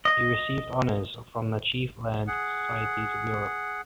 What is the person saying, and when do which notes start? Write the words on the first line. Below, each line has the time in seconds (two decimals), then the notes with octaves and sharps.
He received honours from the chief learned societies of Europe.
0.05 D#5
2.27 G#4 F#5